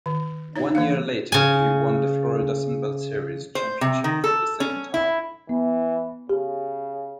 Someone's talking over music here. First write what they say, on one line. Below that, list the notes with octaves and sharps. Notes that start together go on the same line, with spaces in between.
One year later, he won the Florida Sunbelt Series championship for the second time.
D#3
D#4 C#5
E3 A#3 F5
C#3 G#5
C5
C3
D#3
A4
C#4
E4
E3 B3
C#3 G4